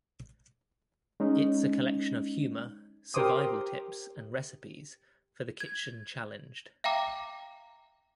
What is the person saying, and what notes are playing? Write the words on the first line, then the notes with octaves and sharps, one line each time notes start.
It's a collection of humor, survival tips and recipes, for the kitchen-challenged!
G#3 C#4 D#4
G4 A#4 C5 C6 D6 D#6
G#6
E5 F5 G5 A#5 D6